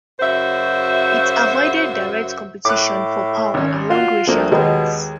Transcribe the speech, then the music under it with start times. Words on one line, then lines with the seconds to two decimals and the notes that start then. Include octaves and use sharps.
It avoided direct competition for power along racial lines.
0.20 F#2 C#3 F#4 C5 E5
2.65 A2 D6 F#6
3.54 G#1 C#4
3.90 F4 F#4
4.27 D2 F3 A#3
4.51 D#2 B2 G#3 G4